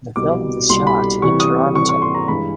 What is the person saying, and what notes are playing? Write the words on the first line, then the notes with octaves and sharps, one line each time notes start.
The film was shot in Toronto.
C2 B2 G3 D6
C2 B2 G3 C6
B5
C3 E3 G3 C#6
D#6
C3 E3 G3 C#6
C#6
C6
A#5
G2 E3 G#3 B5